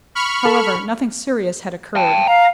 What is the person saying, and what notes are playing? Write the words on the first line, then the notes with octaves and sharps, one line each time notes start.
However, nothing serious had occurred.
B5 C#6 F6
A4
G5 A5
F5 A#5